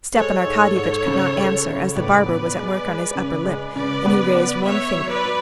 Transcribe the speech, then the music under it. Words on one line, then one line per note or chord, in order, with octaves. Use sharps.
Stepan Arkadyevitch could not answer, as the barber was at work on his upper lip, and he raised one finger.
G#3 A4 C#5
G#2
G#2
C#3
C#2
C#3
A2 B4 D5
B3
G#3
G#3
C#3
G#3
C#3 B4 D5
B3
B3
B3 C#5 E5
F#3
B4 D5
F#3